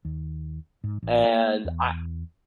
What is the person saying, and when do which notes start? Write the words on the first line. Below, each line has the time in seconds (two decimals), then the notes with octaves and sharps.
And I
0.05 D#2
0.84 G#2
1.03 A1
1.24 A#3
1.65 E2